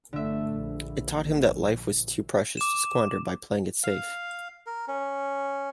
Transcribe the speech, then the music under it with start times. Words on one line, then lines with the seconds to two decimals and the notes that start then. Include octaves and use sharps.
It taught him that life was too precious to squander by playing it safe.
0.13 G1 D3 A3 E5
0.53 A#1
2.57 D6 E7
3.84 F5
4.66 A#4
4.88 C#4